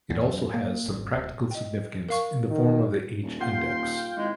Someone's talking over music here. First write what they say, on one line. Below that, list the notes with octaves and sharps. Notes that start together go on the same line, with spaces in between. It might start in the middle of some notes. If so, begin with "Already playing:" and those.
It also has some practical significance in the form of the h-index.
E2
F#2
A#3
G#1
D1
D#5 G5
A#4 F5 C#6
D#3
D#1
A#3 F4 F#5 G5 C6
G#1 G#3 E4